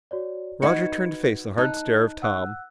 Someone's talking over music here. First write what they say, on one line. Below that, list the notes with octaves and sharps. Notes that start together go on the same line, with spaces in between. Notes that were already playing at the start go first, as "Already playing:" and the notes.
Roger turned to face the hard stare of Tom.
F#4 C#5 D5
D#4 F#4 B4 G#6 C#7
D#4 A5 F#6
F#5 E6 F#6